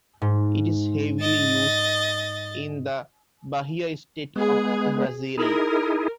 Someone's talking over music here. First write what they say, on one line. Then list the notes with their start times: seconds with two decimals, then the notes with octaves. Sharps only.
It is heavily used in the Bahia state of Brazil.
0.22 G#2
1.21 D#5 A6
4.36 G#3 B3 G#4
5.37 D#4 E4 G#4 A#4